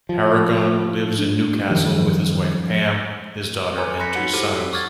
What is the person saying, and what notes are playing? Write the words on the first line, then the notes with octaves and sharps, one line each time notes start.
Harragon lives in Newcastle with his wife Pam, his daughter and two sons.
F3
D4
F#2 D#3 F3 G3
A4 B4 C#5 G#5 A#5 C6
B5 C6 F#6 A#6 B6 C#7
D#4 F#4 F#5 C#7
E4 G4 A4 C5
F#4 C#5 F#5 E6
C#6 D6 E6 F6 G#6 A6